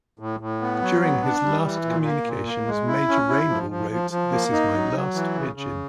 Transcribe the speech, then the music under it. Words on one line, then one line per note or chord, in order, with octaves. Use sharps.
During his last communications, Major Raynal wrote "This is my last pigeon".
A2
A2
B3
F#3
B3
D4
G3
E3
A#2
A#3
A#2
A#3
G#3
E4
C#4
E4
F3
F3
F3
F3
A#3
D#4
F#3
F#3
E3
C#3
C#3